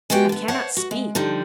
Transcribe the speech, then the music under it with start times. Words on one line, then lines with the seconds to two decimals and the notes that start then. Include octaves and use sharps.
I cannot speak!
0.10 G#3 B3 F#4 G4 G5
0.29 D3 B3
0.48 C5 C#5 F#5 A5
0.77 F#4
0.91 G#3
1.15 D3 F3 G3 D#4